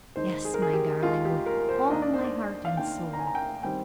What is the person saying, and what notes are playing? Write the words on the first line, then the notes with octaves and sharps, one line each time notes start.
"Yes, my darling, with all my heart and soul!"
D#2 D#3 G#3 D#4 C5
G#4
A#4
G#4
G4
D#2 D#3 G#3 D#4 F4
G4
A#4
C5
D#2 D#3 A#3 D4 D#5
D5
C5
D5
F5
D#2 D#3 A#3 D4 G5
A#5
G#5
A#5
G5
D#3 G3 C4 G5